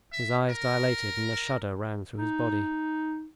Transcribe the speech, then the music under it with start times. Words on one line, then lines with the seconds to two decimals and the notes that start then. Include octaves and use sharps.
His eyes dilated and a shudder ran through his body.
0.12 E5
0.49 A#4
2.17 D#4